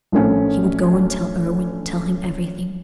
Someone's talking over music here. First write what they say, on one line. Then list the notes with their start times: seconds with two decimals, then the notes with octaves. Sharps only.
He would go and tell Irwine--tell him everything.
0.12 A#1 A2 A3 C4 C#4